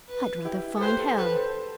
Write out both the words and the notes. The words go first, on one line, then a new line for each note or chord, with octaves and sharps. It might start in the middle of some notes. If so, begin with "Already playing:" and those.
I'd rather find hell!
B4
E4 G4
A4
G4 B4 C5
A4 C5
A4 B4 C5
A4 C5